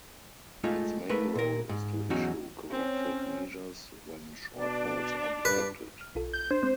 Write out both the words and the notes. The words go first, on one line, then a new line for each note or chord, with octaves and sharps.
Its main role is to issue corrective measures when shortfalls are detected.
G#3 A3 D#4 F4
A3 A#4 B4
A#2 A#4
G#2
E2 F#3 C#4 D#4 F#4
C4 C#4
B2 D4
G2 B4
F6
B1 F4 A4
G6
D4 C5
G#3 C4